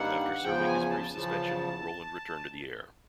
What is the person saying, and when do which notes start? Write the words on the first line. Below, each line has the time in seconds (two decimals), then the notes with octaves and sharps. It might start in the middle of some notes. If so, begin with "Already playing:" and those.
After serving his brief suspension, Roland returned to the air.
Already playing: G2 D#3 G3 A#3 F#5
0.43 E2 C#3 F3 G5
0.67 G#5
0.90 A5
1.13 E2 C#3 F3 A5